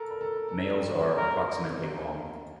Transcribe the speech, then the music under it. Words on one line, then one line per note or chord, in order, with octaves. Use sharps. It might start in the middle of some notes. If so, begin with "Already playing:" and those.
Males are approximately long.
Already playing: A4 A#4
A#4
A4
A4
A#4